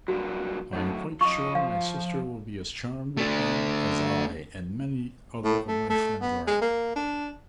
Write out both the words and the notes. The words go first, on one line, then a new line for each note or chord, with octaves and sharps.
"I am quite sure my sister will be as charmed with them as I and many other of my friends are."
G2 A#2 F#3 F#4
A2 F#3 D#4 C#5
F4 D#5 C#6
F3 F5
A3 D4
A2
A3
A3
B3
G#3
A#3
D4